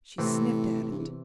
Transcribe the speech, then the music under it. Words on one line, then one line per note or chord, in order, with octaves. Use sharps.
She sniffed at it.
A2 C3 E3 C4
A2
G2
E2